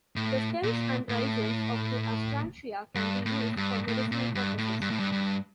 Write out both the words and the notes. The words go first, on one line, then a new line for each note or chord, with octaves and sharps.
The stems and rhizomes of the Astrantia can be used for medicinal purposes.
A2
A#2
A2
G2
A2
G2
A2
A#2
G2
A2
G2
A2
G2
G2